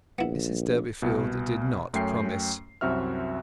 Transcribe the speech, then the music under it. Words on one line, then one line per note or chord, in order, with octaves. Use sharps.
Mrs Durbeyfield did not promise.
A#1 B3 E4
C2 B2
F#2 A3 C#4 G5 C7
C2 F#2 C4 F#4 E5 F6